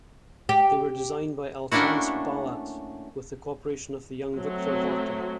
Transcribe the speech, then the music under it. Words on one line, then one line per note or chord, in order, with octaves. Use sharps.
They were designed by Alphonse Balat, with the cooperation of the young Victor Horta.
G4
A3 A#3 C#4 D4 E4 F#4
F#3 A3 C4